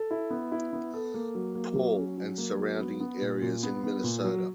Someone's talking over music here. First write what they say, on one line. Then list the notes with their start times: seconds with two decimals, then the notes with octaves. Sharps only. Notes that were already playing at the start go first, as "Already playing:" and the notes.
Paul and surrounding areas in Minnesota.
Already playing: A4
0.11 E4
0.30 B3
0.52 E4
0.73 B3
0.94 A4
1.14 A#3
1.35 F#3
1.55 A#3
1.76 F#3
1.97 C#4
2.18 F#3
2.38 A#3
2.59 F#3
2.80 B3
3.00 B3
3.22 A#2
3.42 A#2
3.63 B3
3.83 B3
4.04 A#2
4.24 F#3